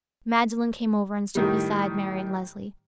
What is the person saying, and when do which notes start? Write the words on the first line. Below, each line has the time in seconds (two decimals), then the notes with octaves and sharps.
Magdalen came over and stood beside Marian Lesley.
1.35 A2 D#3 G3